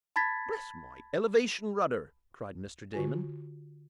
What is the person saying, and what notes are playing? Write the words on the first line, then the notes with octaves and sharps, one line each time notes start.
"Bless my elevation rudder!" cried Mr. Damon.
A5 B5 G#6 A6 B6
D3 F4 F#4 G#5